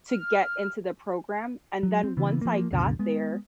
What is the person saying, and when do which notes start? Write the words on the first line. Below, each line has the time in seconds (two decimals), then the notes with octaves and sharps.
to get into the program, and then once I got there,
0.10 F6
1.83 F#3
2.04 C4
2.17 C#3 E3 B3
2.41 F3 A#3
2.71 C#2 F#2 B2 D3
2.99 G#3 B3